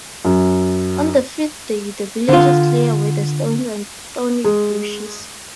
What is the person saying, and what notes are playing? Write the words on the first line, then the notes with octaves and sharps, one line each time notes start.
On the fifth day the villagers clear away the stones and thorny bushes.
F#2
D3 F4
G#3